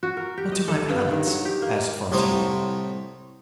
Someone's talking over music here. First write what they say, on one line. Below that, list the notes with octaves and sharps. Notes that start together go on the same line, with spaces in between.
"What are my palettes?" asked Fantine.
F#4
A#4
G4
D#5
A4
G2
D#3
F#3
G4
A#3
C2 A2 D#4 C5 C#5